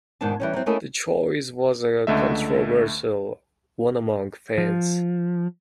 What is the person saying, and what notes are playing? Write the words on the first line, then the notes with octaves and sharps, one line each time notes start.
The choice was a controversial one among fans.
E2 G#2 B2 D#3 D4 A5
E3 G3 C#4
F#3 G3 C4
A3 A#3 C#4 E4 A#4 D#5
C#2 D3 A3 D#5 E5
F3